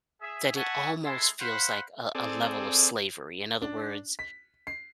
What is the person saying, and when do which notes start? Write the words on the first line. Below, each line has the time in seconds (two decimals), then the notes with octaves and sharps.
that it almost feels like a a level of slavery. In other words,
0.22 G#4 E5
0.56 E5 F#5 G#5 A5 C#6
1.04 G#3 E4 A4 E5 C6
1.40 C5 F5 F#5 B5
2.15 C4 G#4 A4 D5
3.62 D4
4.19 B6
4.67 C7